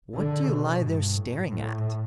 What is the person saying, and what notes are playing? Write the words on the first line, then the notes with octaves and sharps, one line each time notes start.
'What do you lie there staring at?'
D3
B2
G2
A2
A2